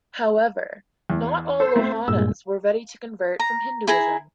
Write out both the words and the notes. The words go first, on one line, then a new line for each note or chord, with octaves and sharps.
However, not all Lohanas were ready to convert from Hinduism.
E2
A4 C5
A3 C4
G2 A#2 G#3 E6
A#5
E4 G#4 A#5